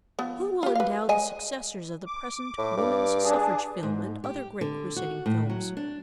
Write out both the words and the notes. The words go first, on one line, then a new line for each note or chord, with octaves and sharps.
Who will endow the successors of the present woman's suffrage film, and other great crusading films?
F3 B3
F4 G4
B4 F5
G#3 D#5 G#5
D6
A2
G2
D4 G#4
G#2
G4
D3
F#4
A2
F#3
D4